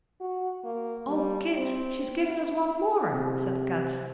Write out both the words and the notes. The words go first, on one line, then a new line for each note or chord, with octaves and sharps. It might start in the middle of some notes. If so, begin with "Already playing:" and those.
"O Kit, she's given us one more!" said Kat.
F#4
A#3
G3
C4
E4
C3